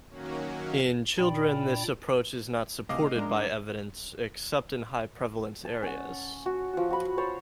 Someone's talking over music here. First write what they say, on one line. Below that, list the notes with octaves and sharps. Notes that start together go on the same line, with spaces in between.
In children, this approach is not supported by evidence, except in high prevalence areas.
D#3 F#3 A#3 C#4 F#4
A#2 D4 D5 G5 B5
A2 C3 D#5 F5 D6
G#3 D4 A#4
A5
C#4 F#5
F#4
F3 F#4
F#4 B5
C5 C#5 A5